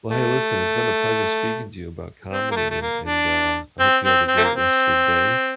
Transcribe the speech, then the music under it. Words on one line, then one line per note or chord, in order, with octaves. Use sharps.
Well, hey, listen, it's been a pleasure speaking to you about comedy and and, uh, I hope you have a great rest of your day
A3
C4
A#3
A3
A3
A#3
D4
C4
C4
C4
A3
A#3
C4